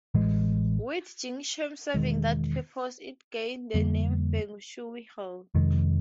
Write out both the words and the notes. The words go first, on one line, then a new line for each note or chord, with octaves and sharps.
With Jingshan serving that purpose, it gained the name Feng Shui Hill.
A1 A2 E3 G#3
E1 D#2 D#3 G#3
F2 D3 G3 A#3
F2 C3 D#3 G#3